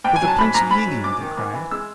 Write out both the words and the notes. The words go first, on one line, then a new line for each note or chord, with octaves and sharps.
"For the Prince of Helium!" they cried.
G#2 G5
G#5
F#3
A5
G#2 B5
G#2 A#5
G#2 B5
F#3
G#2 D6
D#3
G#2
E3
G#3 E6